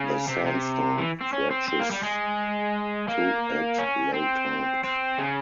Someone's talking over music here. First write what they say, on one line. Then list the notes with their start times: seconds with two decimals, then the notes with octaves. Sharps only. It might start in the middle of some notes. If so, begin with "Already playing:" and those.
The sandstone stretches to at low tide.
Already playing: C#3
0.28 C3
0.45 C3
0.98 E3
1.21 C4
1.33 C#4
1.51 C4
1.68 C4
1.80 A#3
1.91 G3
2.03 G#3
3.09 A#3
3.79 C#4
4.14 C4
4.84 C4
5.19 C#3